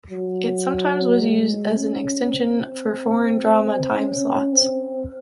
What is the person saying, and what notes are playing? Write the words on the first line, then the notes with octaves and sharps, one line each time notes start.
It sometimes was used as an extension for foreign drama time slots.
F#3
G#3
C#4
C4
C#4
C4